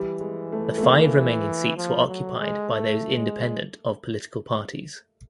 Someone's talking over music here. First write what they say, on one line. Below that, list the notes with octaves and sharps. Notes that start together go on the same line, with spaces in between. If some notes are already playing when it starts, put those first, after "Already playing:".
The five remaining seats were occupied by those independent of political parties.
Already playing: E3 G3
G#3
A3
A3
A#3
F3
F#3
G#3
A3
G#3